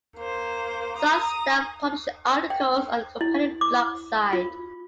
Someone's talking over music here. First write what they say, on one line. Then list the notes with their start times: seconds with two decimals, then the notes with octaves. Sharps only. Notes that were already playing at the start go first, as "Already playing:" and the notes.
Sun staff published articles on the company's blog site.
0.17 A#3 C5
0.96 A#5 D#6
2.50 G5
3.21 E4
3.61 D6
4.33 F4